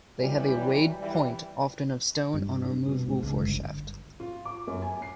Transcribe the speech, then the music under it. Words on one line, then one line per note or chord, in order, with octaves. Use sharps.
They have a weighted "point", often of stone, on a removable foreshaft.
B2 E3 F#3 G3
E3 G3
G2
B2
G#2
C#2
G1
F4
D6
F#2
G#5
C7